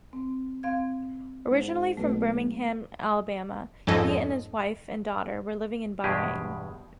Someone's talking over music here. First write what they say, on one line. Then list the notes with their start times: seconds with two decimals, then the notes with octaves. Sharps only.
Originally from Birmingham, Alabama, he and his wife and daughter were living in Bahrain.
0.13 C4
0.63 C4 F5 G#6
1.51 G#2
1.97 B1 A3 F#4 B4
3.87 F2 G#2 C#4 A4 D#5
6.04 E2 G2 B2 G#3 G4 G#4